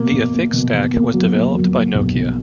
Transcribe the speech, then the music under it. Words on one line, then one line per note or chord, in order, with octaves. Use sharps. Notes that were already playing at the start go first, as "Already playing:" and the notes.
The Affix stack was developed by Nokia.
Already playing: B2 A#3
B2
A#3
B2
B2
A#3
F#3
A#3
F#3
A#3
B1
B2